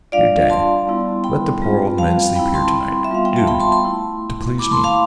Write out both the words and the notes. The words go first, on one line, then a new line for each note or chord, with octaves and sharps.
'Dear daddy, let the poor old men sleep here to-night, do--to please me.'
G3 D4 F4 D5 F5
A5 C6
G3 B3 E4
G5 B5
G3 C4 F4
F5 A5
G3 C4 E4 G5 B5
A5 C6
E5
G3 B3 F4 F5
G5
A5
G5 B5
A5 C6
A5 C6
A3 E4
A3 E4 B5 D6
A5 C6
F5 A5